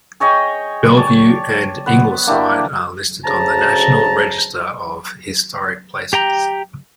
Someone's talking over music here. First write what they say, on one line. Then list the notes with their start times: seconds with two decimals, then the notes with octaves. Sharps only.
Belleview and Ingleside are listed on the National Register of Historic Places.
0.20 G#4 C#5 D#5 G5
0.97 C#5 D5 A5
1.86 B3 B4
2.27 A#3 D4 E4 G4
3.24 D2 C#3 A5 A#5
6.13 G4 G5 A#5